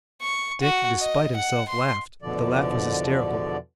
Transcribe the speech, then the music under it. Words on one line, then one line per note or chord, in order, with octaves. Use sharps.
Dick, despite himself, laughed, but the laugh was hysterical.
C#6
F#4
D#5
F#5
C6
E2 B2 D3 F3 D5